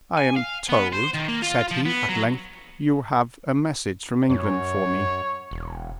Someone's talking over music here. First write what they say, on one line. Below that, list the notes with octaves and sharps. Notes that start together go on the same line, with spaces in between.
"I am told," said he, at length, "you have a message from England for me."
G#5
F5
B3
C5
D#3
A#3
F4
F3
B3
F#3
F#2 C#5
E1